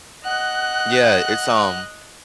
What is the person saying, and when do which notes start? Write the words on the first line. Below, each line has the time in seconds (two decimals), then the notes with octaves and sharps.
Yeah, it's, um,
0.25 D#5 F#5 F#6